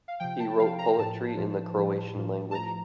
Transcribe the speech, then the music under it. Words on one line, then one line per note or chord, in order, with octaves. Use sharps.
He wrote poetry in the Croatian language.
F5
C3 F3 G5
A5
C3 F3 F5
A#5
A2 F3 A5
A2 F3
A2 F3
A2 F3
A5
A2 F3 A#5